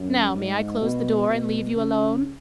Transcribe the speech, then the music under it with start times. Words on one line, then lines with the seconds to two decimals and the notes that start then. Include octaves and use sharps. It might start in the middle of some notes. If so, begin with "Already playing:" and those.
Now, may I close the door and leave you alone?
Already playing: F#2
0.35 G#2
0.81 B2
1.29 B2
1.76 C#3